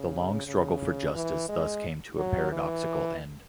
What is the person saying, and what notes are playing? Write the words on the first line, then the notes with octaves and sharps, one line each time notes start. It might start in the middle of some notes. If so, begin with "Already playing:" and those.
The long struggle for justice thus came to a paradoxical end.
Already playing: C#3
C#3
E3
G#3
F#3
E3